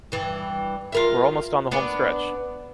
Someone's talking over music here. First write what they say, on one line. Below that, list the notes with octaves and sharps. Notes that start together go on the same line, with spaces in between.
We're almost on the home stretch.
G2 E3
F4 A#4 E5
B3 D4